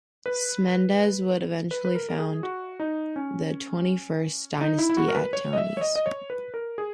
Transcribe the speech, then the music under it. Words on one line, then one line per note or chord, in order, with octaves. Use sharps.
Smendes would eventually found the Twenty-first Dynasty at Tanis.
B4
B4
B4
A#4
A#4
G#4
F#4
D#4
C#4
D#4
E4
E4
F#4
A#4
B4
C#5
D#5
E5
C#5
D#5
D#5
C#5
B4
A#4
G#4